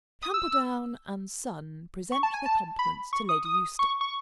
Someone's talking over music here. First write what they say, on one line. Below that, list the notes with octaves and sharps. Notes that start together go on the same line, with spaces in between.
Camperdown and Son present their compliments to Lady Eustace.
D#6
E6
C#6
A5
G#5
A5
B5
C#6
D#6
D#6
C#6
C#6